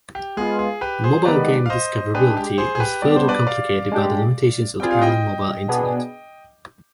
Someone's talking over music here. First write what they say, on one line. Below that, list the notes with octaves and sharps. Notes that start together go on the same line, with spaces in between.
Mobile game discoverability was further complicated by the limitations of the early mobile internet.
G4
G#3 B3 F4 G#4
G#4
G4 B4
G#4 C5
D#3 G#3 B3 D#4 G4 B4 D5
F5
C5 D#5
G#3 D4 G4 G#4 B4
G4
G#4 C5
G#4
G4 B4
G3 B3 D4 G4 D5
C5
B4 D5
D5 F5
G#3 D4 G4
G3 C4 F4 G#4 G5
F5
D#5 G5
B2 B3 D4 G#4